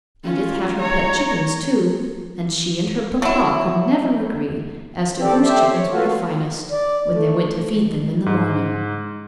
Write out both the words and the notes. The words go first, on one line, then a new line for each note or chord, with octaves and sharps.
Edith had her pet chickens, too, and she and her papa could never agree as to whose chickens were the finest, when they went to feed them in the morning.
C#4 F4
C#5 A#5
F#3 E4
C4 G4 A4 D5
G4 A4 C5 E5
C#5
F4 F#4 A4 B4
D5
A3
G#2